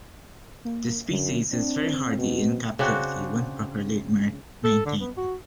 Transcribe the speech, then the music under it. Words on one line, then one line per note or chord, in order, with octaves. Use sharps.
This species is very hardy in captivity when properly maintained.
A#3
F#2 D3
C4 D4
B2
C#3 C4 D4 F#4
A4
D3
B3
F#4